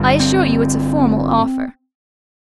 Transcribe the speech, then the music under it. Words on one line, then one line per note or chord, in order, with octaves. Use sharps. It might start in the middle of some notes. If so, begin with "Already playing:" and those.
"I assure you it's a formal offer."
Already playing: G1 G2 D3
C4